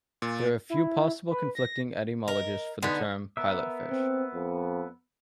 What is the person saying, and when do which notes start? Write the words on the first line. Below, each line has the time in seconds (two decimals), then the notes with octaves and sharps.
There are a few possible, conflicting etymologies for the term "pilot fish".
0.22 A#2
0.70 E4
1.30 B4
1.55 A#6
2.28 A#4 D#5
2.83 D3 G#3 B3 D#4
3.37 B3 A#4 E5
3.90 C4
4.35 F2